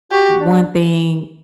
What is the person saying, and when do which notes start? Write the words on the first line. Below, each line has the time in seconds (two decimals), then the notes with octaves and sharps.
one thing
0.11 F#4 G4
0.40 D4